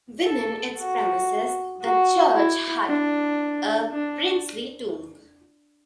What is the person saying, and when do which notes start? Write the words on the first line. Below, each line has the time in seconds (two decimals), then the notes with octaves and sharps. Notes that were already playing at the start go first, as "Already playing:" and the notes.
Within its premises the church had a princely tomb.
0.25 A4
0.77 F#4
1.82 F#4
2.34 E4
2.87 D4
3.91 D4